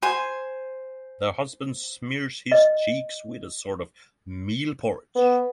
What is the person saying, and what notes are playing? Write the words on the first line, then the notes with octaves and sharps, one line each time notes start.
The husband smears his cheeks with a sort of meal-porridge.
C5 G#5 C6
D#5
B3